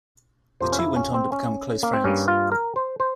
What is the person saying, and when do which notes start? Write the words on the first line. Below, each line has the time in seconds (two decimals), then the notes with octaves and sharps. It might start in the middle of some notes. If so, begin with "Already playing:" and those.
The two went on to become close friends.
0.61 F2 C3 F3 A#3 C5
0.72 C#4
0.79 E4
0.96 C#4
1.14 C4
1.32 C#4
1.83 A#3
1.93 C4
2.04 G2 G3 A#3 C#4
2.28 F4
2.52 A#4
2.76 C5
3.00 C5